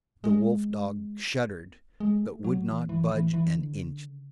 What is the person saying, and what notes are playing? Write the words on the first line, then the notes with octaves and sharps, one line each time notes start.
The wolf-dog shuddered but would not budge an inch.
G#3
G#3
A3
F#3
E3
E3
E3
E3
D3
C#3
D3
C#3